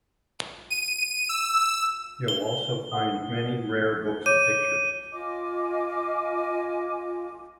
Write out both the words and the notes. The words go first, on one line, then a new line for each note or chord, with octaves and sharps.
You'll also find many rare books and pictures.
D#7
E6
G7
F#5 D#6
C#5 D6 G6 D#7
F4 D#5 G#5 D6